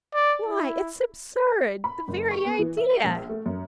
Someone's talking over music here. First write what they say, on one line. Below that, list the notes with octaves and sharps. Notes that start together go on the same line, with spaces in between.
Why, it's absurd! the very idea!
D5
E4
B5
F#1
C#6
B3
E3
E5
A#1
A3
F#2